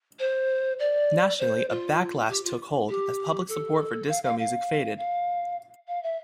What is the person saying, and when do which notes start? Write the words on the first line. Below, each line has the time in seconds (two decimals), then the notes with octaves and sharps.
Nationally, a "backlash" took hold, as public support for disco music faded.
0.19 C5
0.79 D5
1.39 C5
1.70 F4
2.29 G4
2.44 F4
2.89 G4
3.49 A4
4.09 F5
4.23 F5
4.39 F5
4.98 F5
5.88 F5
6.03 E5